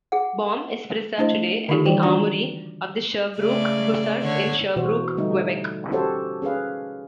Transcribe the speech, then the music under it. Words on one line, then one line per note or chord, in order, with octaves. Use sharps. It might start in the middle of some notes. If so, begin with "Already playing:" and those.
"Bomb" is preserved today at the Armoury of the Sherbrooke Hussars in Sherbrooke, Quebec.
G#4 F#5
A3 D4 E4 C5 D#5
D3 D#3 D#4 F4 G4 A4
E3 G3 C5 D5 G5
D4 F4 F#4 D5 F#5 A#5
C#3 A3 D5
D3 C#5
B2 E3 F#4 C5 C#5
D3 G3 A3 D#4
C#4 F#4 G4 A4 C5 C#5
C#4 G#4 B4 F5